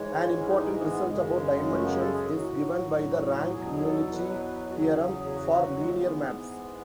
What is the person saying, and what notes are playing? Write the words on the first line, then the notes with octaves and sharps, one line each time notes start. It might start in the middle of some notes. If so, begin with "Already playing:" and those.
An important result about dimensions is given by the rank-nullity theorem for linear maps.
Already playing: G#2 E3 G#3 C#5
C#4
D#4
B3
F#2 C#3 G#3
A3
B3
A4
G#4
A2 F#3 F#4
E2 B2 F#3 G#4
G#4
A4
B4
F#4
E2 C#3 F#3 G#4
G#4
F#4
G#3
A3
G#2 E3 G#3 B3